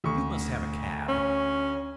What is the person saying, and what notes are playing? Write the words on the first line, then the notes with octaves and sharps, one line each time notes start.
"You must have a cab."
D2 C#6
C#4